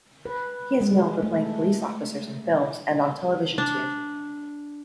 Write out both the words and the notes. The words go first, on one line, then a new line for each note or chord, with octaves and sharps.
He is known for playing police officers in films and on television, too.
B4
G#3
A3
D4